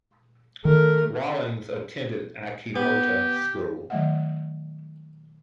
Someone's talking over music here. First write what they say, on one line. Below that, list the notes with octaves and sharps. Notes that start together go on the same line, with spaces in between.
Rawlings attended Achimota School.
D#3 A3 A#4
B3 G4
D#3 F#3 A3 D#5 E5 F#5